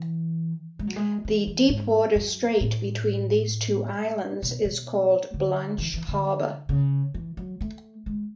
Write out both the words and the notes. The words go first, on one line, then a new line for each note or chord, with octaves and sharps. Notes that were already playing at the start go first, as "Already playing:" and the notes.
The deep water strait between these two islands is called Blanche Harbor.
Already playing: E3
G#3
F#3
G#3
E3
E3
G#2
F#2
A2
B2
B2
D3
E3
E3
D3
C#3
E3
F#3
A3
G#3